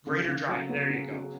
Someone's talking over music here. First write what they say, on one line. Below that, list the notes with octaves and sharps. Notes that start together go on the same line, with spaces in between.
greater dry, there you go,
C#3
C#3
F#3
B3
C#3
C#3